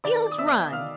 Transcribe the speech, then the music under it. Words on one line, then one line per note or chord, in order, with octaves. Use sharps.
"Eels run!"
D#3 D5 D6
D#6
B3 E5 E6
D#3 F5 F6